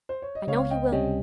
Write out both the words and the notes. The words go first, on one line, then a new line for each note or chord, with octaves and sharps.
I know he will!
C5
C#5
D#5
C#2 C#5 F5
D#5 G5
C3 G3 C#4 D#5 G5